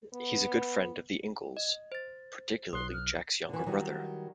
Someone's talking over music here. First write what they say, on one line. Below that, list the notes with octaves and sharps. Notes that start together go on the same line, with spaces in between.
He's a good friend of the Ingles', particularly Jack's younger brother.
B3
D#5
C5 A6
B1 C6 D#6 F#6
F6
D3 E3
D#3 F#3 G3